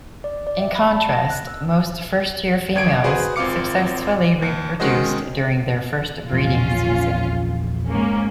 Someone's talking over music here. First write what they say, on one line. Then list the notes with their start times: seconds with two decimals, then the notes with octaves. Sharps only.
In contrast, most first-year females successfully reproduce during their first breeding season.
0.24 D5
0.47 D5
0.59 E5
0.75 B5
0.94 A5
1.13 A#6
1.30 F#6
1.47 E6
2.76 G1 G#6 D7
3.04 F#4 G#4 B4 C5
3.36 G#1 C4 F4 F5 D6 C#7
4.42 D#2
4.80 D#3 G#3 C#4 F#4 C5 D#5
6.32 A#1 E2 D#3 C#4 F4
7.89 G#2 A#3 C#4